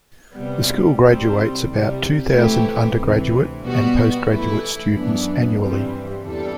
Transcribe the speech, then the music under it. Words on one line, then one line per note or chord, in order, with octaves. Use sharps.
The school graduates about two thousand undergraduate and postgraduate students annually.
C3 G3 B3
C2 C3 G3 C4
C2 C3 G3
C3 E3 A3 E4 G4
D2 C3 E3
B2 G3 B3 F#4
E3 A3 E4
F#2 E3 B3 D4
G2 E3 G3 C4
E2 C3 G3 D4 A4